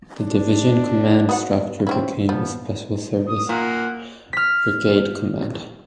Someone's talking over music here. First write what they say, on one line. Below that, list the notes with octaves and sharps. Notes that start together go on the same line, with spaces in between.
The Division command structure became a Special Service Brigade command.
D4
B3 F#4 F#5
C4 C#4 E4
F3 B3
D#6
A#2 A#3 F#5
F6 B6